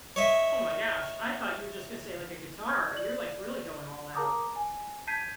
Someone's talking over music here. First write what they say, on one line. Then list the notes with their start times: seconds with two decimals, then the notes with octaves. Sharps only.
Oh my gosh. I thought you were just gonna say, like, a guitar. You're, like, really going all out.
0.16 C#5 D#5 E5
2.67 C#6 D#6 F6 G6 G#6
2.94 D5 F#7
4.15 G#4 A#4 A5 A#5 D6 D#6
4.56 G#5
5.07 A5 G6 G#6 B6 C7 D#7